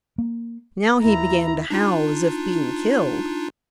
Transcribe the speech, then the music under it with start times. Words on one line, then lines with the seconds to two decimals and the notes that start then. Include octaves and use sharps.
Now he began to howl as if being killed.
0.18 A#3
1.02 D#2 E4 A#5
1.70 D4 D#4 F4